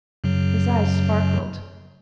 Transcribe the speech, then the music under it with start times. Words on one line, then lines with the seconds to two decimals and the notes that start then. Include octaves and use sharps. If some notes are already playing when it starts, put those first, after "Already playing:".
His eyes sparkled.
0.24 F#2 C#3 F#3